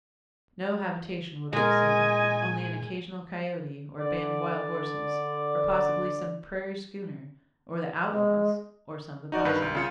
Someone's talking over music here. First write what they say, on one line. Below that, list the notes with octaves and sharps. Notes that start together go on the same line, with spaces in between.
No habitation would we see; only an occasional coyote, or a band of wild horses, or possibly some prairie schooner, or the outlaws, or some of the posses.
A#2 G#3 A#4 D#5 G#5
D3 D5
G#3
D#4 F#4 D5
G2 D#3 B4 B5 G6
C2
C#3 F4 C#7